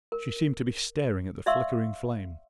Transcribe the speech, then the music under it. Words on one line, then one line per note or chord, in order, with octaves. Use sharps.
She seemed to be staring at the flickering flame.
A#4
D5 E5 F5 C6 C#6 E6